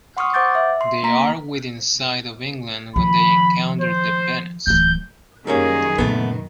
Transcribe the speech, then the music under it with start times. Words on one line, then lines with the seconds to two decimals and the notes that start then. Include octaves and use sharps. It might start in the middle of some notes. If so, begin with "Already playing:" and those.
They are within sight of England when they encounter the "Venus".
0.17 F#5 C6 C#6 D#6 F6
0.34 C5 F#5 D6 G6 A6
0.55 E5
0.81 C6
1.03 A#3 A#5 B6
2.96 D#3 F3 B5
3.81 C5
4.67 D1 E3 G6
5.47 F#2 D#3 G3 A#3 C#4 G#4
5.98 A#2 C#3 A3 B3